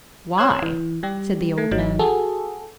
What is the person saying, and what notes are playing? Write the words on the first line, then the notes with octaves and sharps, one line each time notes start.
"Why?" said the old man.
C#5 C6 E6 F#6 G#6
E3
G3 G4
A3
G#1 F#3 D#4
F#4 G#4 A4